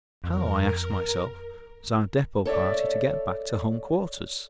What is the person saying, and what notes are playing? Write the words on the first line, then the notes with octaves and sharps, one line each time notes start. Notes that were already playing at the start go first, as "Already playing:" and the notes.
How, I ask myself, was our depot party to get back to home quarters?
F2 A#4
A4 C#5 D5 E5